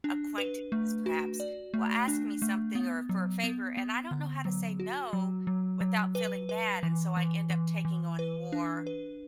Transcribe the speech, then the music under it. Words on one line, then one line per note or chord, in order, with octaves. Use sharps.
acquaintances perhaps will ask me something, or for a favor and I don't know how to say no without feeling bad, and so I end up taking on more
D4
B4
A3
F#4
D5
A3
D4
A3
B3
F#3
B3
B3
D3
F#3
F#4
F#3
F#3
F#3
B4
B4
E3
E3
E3
E3
B4
D4
B4